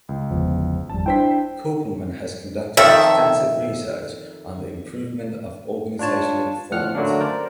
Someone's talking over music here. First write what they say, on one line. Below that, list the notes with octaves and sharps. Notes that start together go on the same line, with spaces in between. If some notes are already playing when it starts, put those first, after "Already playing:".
Kopelman has conducted extensive research on the improvement of organizational performance.
C#2
G1 E2 F3
G#1 F2 G3 A5
D4 E4 C5 G5 B6
F2 D#3 A4 E5
D4 F4 C#5 A5
A2 F3 F#5 F6
D3 F#3 A3 A#3 C#4 D4
A#4 C5 D5